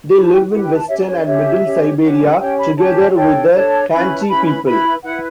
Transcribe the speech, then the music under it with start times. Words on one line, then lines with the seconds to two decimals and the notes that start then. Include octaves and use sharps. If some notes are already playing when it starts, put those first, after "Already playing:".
They live in western and middle Siberia, together with the Khanty people.
0.12 E4 G4 B4 B5
0.21 A5
0.31 G5
0.49 E4 G4 B4 F#5
0.62 G5
0.75 A5
0.87 C#4 G4 C#5 E5
0.97 D5
1.06 C#5
1.16 D5
1.25 C#4 G4 C#5 E5
1.63 C#4 G4 C#5
2.01 C#4 G4 C#5 F#5
2.20 F#5
2.39 C#4 G4 C#5 G5
2.58 B5
2.76 C#4 G4 C#5 A5
3.14 D4 A4 C#5 G5
3.52 D4 A4 C#5 A5
3.90 C#4 E4 B4 B5
4.20 A5
4.27 C#4 E4 B4 B5
4.46 B5
4.65 E4 B4 B5
5.03 E4 B4 F#5